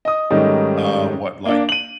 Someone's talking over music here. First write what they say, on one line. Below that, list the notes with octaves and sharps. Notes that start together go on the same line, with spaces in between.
uh, what, like,
D#5 D#6
G#2 D#3 G3 A3 C#4 D#4
A#3 D4
D#7 F#7